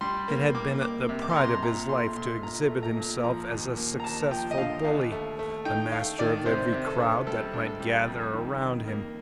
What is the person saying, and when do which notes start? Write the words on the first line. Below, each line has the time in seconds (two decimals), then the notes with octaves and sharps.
It had been the pride of his life to exhibit himself as a successful bully--the master of every crowd that might gather around him.
0.01 G3 C6
0.28 A#3
0.55 A#3 D6
0.81 A#3 D6
1.09 C3
1.22 D6
1.30 C6
1.36 C3 A#5
1.44 C6
1.63 A#2 A#5
1.89 A3 C6
2.16 A#2 C6
2.43 A#2 A#5
2.69 A3
2.83 A#5
2.97 A#2
3.23 F3 A#5
3.50 D#2
3.77 A#3
4.00 A#5
4.04 D#2 A5
4.31 F3 G5
4.51 D#5
4.58 D3 F5
4.84 D#2 F5
5.12 A3
5.39 A3
5.65 D#4 G5
5.92 A3 F5
6.19 D#3 D5
6.46 C3 C5
6.73 C3
6.86 A4
6.99 D4
7.27 G3 A4
7.53 D4
7.67 A4
7.80 G3
8.08 F2
8.33 D#3
8.61 D#3
8.88 A#3